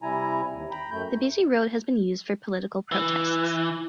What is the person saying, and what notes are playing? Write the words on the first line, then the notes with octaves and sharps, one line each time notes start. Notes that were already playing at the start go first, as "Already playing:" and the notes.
The busy road has been used for political protests.
C3 G3 E4 G#5 A#5
D#2
G5 A#5 B5
F#2 A3 G6
E3